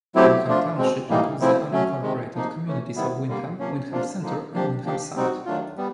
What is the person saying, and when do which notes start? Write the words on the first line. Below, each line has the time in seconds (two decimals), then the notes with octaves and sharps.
Windham Township includes the unincorporated communities of Windham, Windham Center, and Windham Summit.
0.15 F#3 A3 C4 E4 G4
0.47 F3 A3 D4 F4
0.77 B2 G#3 C4
1.09 A2 E3 G3 A#3 D#4
1.40 C#3 F3 A3 C4 E4
1.72 F#3 A3 C#4
2.02 C3 D#3 G#3
2.34 C3 F3 A#3 D#4
2.65 E3 A3 C#4
2.96 C3 D#3 G3 B3 E4
3.28 D3 G3 A#3
3.59 C3 F3 A#3 C#4
3.89 C3 F3 A#3 D4 F4
4.21 D3 F3 A#3 D#4
4.53 C3 F3 A#3 D4 G4
4.84 F3 A#3 D4 G4
5.15 G3 C4 D#4 F#4
5.46 D#3 F#3 A3 D4 F4
5.77 G3 B3